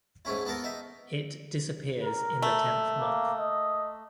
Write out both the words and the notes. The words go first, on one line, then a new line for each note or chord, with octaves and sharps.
It disappears in the tenth month.
G#2 A3 C#4 E4
B3 E4 A4 A#4
D#4 E5
A#4
A3
A#3
D#5